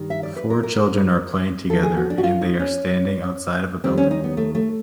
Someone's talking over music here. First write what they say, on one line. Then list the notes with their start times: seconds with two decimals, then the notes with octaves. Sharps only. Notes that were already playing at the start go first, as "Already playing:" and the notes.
Four children are playing together, and they are standing outside of a building.
Already playing: G2 D#3 G3
0.10 E5
0.23 D5
0.36 B4
0.50 A#4
0.63 A#4
1.69 G#2 F3 G#3 A4
1.83 G#4
1.97 F#4
2.10 D4
2.18 F#4
2.23 F4
2.41 D#4
2.59 C#4
3.84 D#2 D#3 G3 C4
3.98 C#4
4.11 D#4
4.24 B3
4.37 A3
4.55 A3